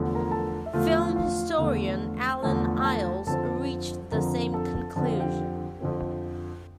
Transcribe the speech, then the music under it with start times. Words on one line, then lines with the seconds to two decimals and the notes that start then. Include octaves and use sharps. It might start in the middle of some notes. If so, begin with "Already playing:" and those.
Film historian Allen Eyles reached the same conclusion.
Already playing: E2 D3 F3 A3
0.15 A#4 A#5
0.31 A4 A5
0.66 E5
0.73 E2 D3 F3 A3 F4 F5
1.16 F4 F5
1.58 E2 D3 F3 A3
2.42 E2 D3 F3 A3 A4 A5
2.79 G5
2.85 A4 A5
3.27 F2 D3 F3 C4 A4 A5
4.11 F2 D3 F3 C4 A#4 A#5
4.54 A4 A5
4.96 F2 D3 F3 C4 A5
5.04 G5
5.12 F5
5.20 G4 G5
5.80 F2 D3 F3 C4